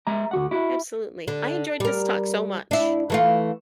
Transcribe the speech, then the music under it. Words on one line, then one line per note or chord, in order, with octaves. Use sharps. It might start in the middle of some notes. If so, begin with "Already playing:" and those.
Absolutely. I enjoyed this talk so much.
G#3 E5 A#5
D2 F#4 F#5
E4 F#4
D3
G3 A#4
D4 E4
E3 A3 F4